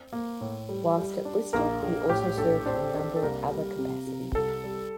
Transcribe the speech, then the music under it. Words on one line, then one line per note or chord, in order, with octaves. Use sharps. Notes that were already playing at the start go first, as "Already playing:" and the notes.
Whilst at Bristol, he also served in a number of other capacities.
Already playing: C4
A#3
A2
G3
G3
D4
A#1 A#3 A#4
A#1
A2 G4
A#1 A4
C4 D4 C5
D4
A4
C2 A#3 A#4
G3
C3
C3
C2 A4
G3